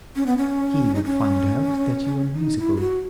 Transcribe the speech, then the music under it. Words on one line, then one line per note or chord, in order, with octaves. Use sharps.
He would find out that you are musical.
C#4
B3
C#4
D#4
C#4
D#4
E4
G#4
F#4